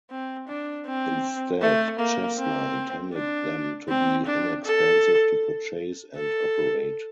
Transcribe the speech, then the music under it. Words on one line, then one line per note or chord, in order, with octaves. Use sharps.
Instead, Cessna intended them to be inexpensive to purchase and operate.
C4
D4
C4
A3
A#3
C4
D4
C4
D4
A4
A4